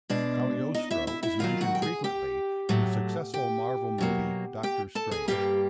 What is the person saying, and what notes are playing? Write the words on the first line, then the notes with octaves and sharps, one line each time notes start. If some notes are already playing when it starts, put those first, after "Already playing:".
Cagliostro is mentioned frequently in the successful Marvel movie Doctor Strange.
B2 G#3 D4 D5
D#4 D#5
E4 E5
E4 E5
E4 E5
D#2 D#3 F#3 F4 F5
F#4 F#5
G5
G#4 G#5
G4 G5
A2 F#3 A3
G4 G5
B2 F#3 A#3
G4 G5
A4 A5
G#4 G#5
G2 E3 G3 A#3 G4 G5